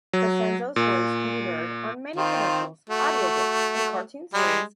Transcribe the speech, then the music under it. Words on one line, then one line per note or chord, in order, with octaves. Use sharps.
DiCenzo's voice can be heard on many commercials, audiobooks, and cartoon series.
F#3
A#2
D#3 C4 F4
A3 F#4
G3 G#3